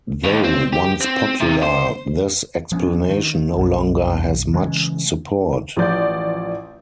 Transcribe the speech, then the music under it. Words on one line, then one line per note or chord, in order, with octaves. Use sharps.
Though once popular, this explanation no longer has much support.
D#2
C4
G4
C4
C3
C5
F3 B3 C#4 D4
D#3
B1 F#2
C#3 E3 G#3 C#4
A1 F3 D5 G6